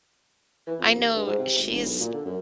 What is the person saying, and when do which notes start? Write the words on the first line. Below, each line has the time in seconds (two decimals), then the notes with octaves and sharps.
I know she's
0.67 E3
0.79 F2
0.95 D#2
1.13 G2
1.26 G#2
1.39 C3
1.58 G#1
1.70 E1
1.85 B1
2.00 A#2
2.13 D3
2.25 F#2